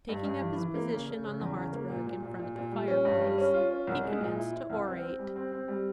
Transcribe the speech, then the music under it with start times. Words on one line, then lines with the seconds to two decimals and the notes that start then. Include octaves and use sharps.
Taking up his position on the hearthrug in front of the fireplace, he commenced to orate.
0.09 G2
0.24 G2
0.41 E3
0.57 E3
0.74 A#3
0.90 C#3
1.07 C#3
1.24 C#3
1.40 E2
1.56 C#3
1.73 A#3
1.90 A#2
2.06 A#2
2.22 A#2
2.39 A#2
2.56 A#2
2.72 G3
2.88 C#4
3.05 G2
3.21 G3
3.38 C#4
3.54 F4
3.70 C#4
3.87 C2
4.04 G#3
4.20 A#2
4.36 E4
4.53 E4
4.70 C2
4.86 C4
5.02 C4
5.19 G3
5.36 C4
5.52 C4
5.68 G3